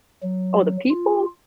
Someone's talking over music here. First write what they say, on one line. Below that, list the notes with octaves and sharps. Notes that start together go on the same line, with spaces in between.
Oh, the people?
F#3
F4